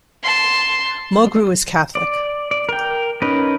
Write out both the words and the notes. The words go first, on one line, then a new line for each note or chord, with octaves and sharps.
Mulgrew is Catholic.
A5 C6
D5
D5
A#4 G5
C#4 D#4 A#4 B4